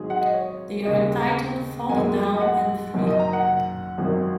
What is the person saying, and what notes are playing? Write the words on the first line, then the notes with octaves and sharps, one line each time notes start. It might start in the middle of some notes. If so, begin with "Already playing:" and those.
They are entitled "Falling Down" and "Free".
Already playing: G#1 G#2 F#3 G#4
F#5
D#5
C#5
D#2 C#3 G#3 D#5
F#2 D#3 G#3 G#5
D#5
F#5
F#1 F#2 D#3
D#5
A#5
F#5
G#1 F#2 D#3 F#3